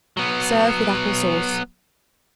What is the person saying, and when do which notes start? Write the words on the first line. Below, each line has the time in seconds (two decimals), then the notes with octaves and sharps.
Serve with apple-sauce.
0.17 F#3 B3